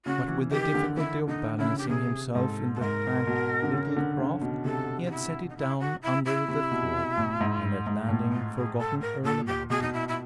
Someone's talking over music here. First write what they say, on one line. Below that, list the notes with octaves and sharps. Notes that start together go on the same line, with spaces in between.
But with the difficulty of balancing himself in the crank little craft he had set it down under the thwart, and at landing forgotten all about it.
C#3 F#4
E3
D#3 G4
D3
D3 E4
D3 D#4
C#3 E4
G4
C3 G#4
G#2 A4
A4
G#2 A#4
B2
D3
C#3
D3
C#3
B2
C3 A4
F4
E4
D#4
E4
F#4
E4
E4
C3
B2
A2
G#2
G#2
A2
F4
G#4
A4
A#4
A#2 A4
G4
B2 G#4
D#4
E4
E4